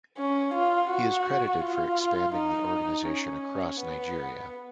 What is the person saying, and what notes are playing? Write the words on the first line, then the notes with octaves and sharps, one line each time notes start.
He is credited for expanding the organisation across Nigeria.
C#4
F4
F#4
F4
D#4
C#4
B3